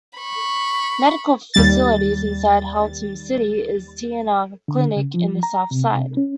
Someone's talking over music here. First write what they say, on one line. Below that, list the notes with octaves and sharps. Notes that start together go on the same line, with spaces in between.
Medical facilities inside Haltom City is the T and R Clinic in the south-side.
B5 C#6
D#2 G3 A6
D3
C#3
F3
A#5
C3
C#4